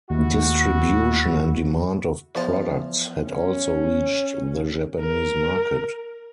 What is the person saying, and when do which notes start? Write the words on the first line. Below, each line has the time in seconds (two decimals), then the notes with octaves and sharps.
Distribution and demand of products had also reached the Japanese market.
0.10 D#2 E4 F#4
2.35 E2 F3 A5
3.29 C#4
5.01 A#4